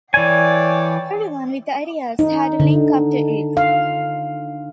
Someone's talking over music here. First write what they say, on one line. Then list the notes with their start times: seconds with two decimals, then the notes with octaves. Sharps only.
Everyone with ideas had to link up to it.
0.14 E3 C#5 D5 G5 G#5
2.19 D#4
2.60 D3
3.57 F5